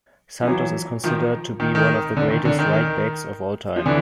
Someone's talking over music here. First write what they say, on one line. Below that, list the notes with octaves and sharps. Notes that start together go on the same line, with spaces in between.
Santos is considered to be one of the greatest right-backs of all time.
F3
E3 F#3
D#3 F3
D#3
D#3
D3
D#3
D3
D#3
D#3
F3
D3 E3